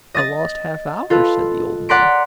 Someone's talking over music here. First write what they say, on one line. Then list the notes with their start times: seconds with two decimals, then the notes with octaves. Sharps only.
"A lost half-hour?" said the old man.
0.14 D#5 D#6 A6 A#6
1.10 F4 A4 B4
1.89 D5 F#5 A#5 C6 B6 D7